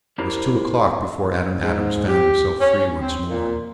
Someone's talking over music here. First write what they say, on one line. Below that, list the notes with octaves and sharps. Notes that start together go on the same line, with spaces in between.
It was two o'clock before Adam Adams found himself free once more.
D4 E4 G4 A#4 C5 D5
G#2
G4
C#4
C4
A#2